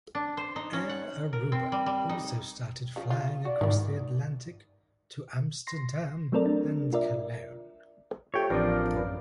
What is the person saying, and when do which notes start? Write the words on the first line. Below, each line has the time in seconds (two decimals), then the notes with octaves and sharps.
Air Aruba also started flying across the Atlantic to Amsterdam and Cologne.
0.15 D4
0.37 C5
0.56 D#4
0.73 C#4
0.89 F#5
1.33 A#4
1.52 C4
1.72 G3
1.86 G3
2.09 D#4
2.96 C#3 F3
3.10 F4
3.45 F#4 D5
3.61 G#2 D#3 E3 E4
5.67 C6 A#6 C7
6.32 F#3 A3 C4 A4 A#4 D5
6.46 D4
6.93 F4 A#4 D5 E5
8.34 A3 F4 G4 C5 C#5 G5
8.50 A1 F3 C4 D4 F4 A#4 B4 D5
8.94 F#2 C#4 B4